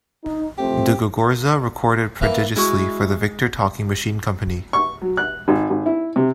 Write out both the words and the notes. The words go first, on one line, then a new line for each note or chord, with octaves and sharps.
De Gogorza recorded prodigiously for the Victor Talking Machine Company.
D#4
F3 A3 C4 G4
E3 A#3
G#3 E4 F#4
C#6
F#3
F#6
G#1
G#1
E4
C3